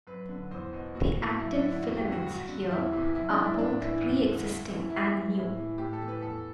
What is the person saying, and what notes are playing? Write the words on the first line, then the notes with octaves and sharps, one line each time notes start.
The actin filaments here are both pre-existing and new.
F#2 B4
D3
E2 C5
B2
A2 F#4
E3
F#2 E4
D4
D3
E4
E2 F#4
G4
D3
F#4
G2 F#4
D3
E2 E4
C3 E3
F#2 E4
D4
E3
E4
A2 D4
E3 E4
E2
D3
G2
E3
G2 E4
E3
A2 E4
E3
A2 G4
A4
E3
B4
E2 A4